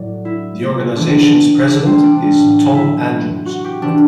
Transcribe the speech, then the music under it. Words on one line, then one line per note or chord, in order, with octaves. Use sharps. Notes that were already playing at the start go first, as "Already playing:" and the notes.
The organization's president is Tom Andrews.
Already playing: A2 F#3 D5
E4
C3 E3 D4
D4
C4
D4
A2 F#3
E4
F#4
G4
C3 E3 D4